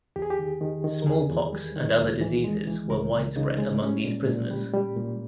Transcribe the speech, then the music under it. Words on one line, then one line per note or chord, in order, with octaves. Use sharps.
Smallpox and other diseases were widespread among these prisoners.
E2 G4
G#4
G4
D#3
D#3
D#3
A#4
E2 G#4
E2
G3
D#3
C#2
E3
G#3
E3
C#2 A#4
C#3
C#3 D#4
G#3
G3 C#4
A#2
A#2
G3
G3
A#2